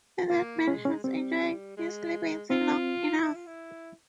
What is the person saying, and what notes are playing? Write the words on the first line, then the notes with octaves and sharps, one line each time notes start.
The dead man has enjoyed his liberty long enough.
A#3 F4
G#3 C#4
C#4
G3 C4
G3
G#3
C4 F4
E4
F4
E4